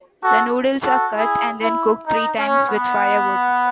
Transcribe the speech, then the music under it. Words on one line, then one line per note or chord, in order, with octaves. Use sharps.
The noodles are cut and then cooked three times with firewood.
F#4 A4
F#4 A4
E4 G#4
E4
D#4
C#4
B3